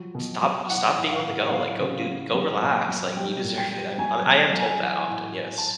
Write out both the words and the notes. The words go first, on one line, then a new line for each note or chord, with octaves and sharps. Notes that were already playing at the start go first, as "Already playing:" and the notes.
"Stop stop being on the go. Like, go do go relax, like, you deserve it." I'm I am told that often, yes.
Already playing: F3 F#3
B2
F#3
E3 F#5
A2
F5
A2
F#5
F#3 F5
C#3
F#3
F#3
A#2
F#3
G3 G5
A#2
G5
G3
F#3 G#5
G#5
B2
F#3
G#5
E3
A2
A2
A5